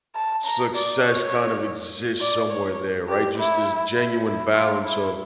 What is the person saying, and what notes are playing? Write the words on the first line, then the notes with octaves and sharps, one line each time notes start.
Success kind of exists somewhere there, right, just this genuine balance of
A5
A#5
D5
C#5
D5
C#5
G4
E4
E4
E4
F4
E4